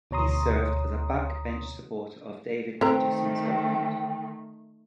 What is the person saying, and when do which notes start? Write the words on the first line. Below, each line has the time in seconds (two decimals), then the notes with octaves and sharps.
He served as a backbench supporter of David Peterson's government.
0.11 D2 B2 C#5 A#5 C6 D#6
2.81 D#3 A3 C4 A4 B4 G5 A#5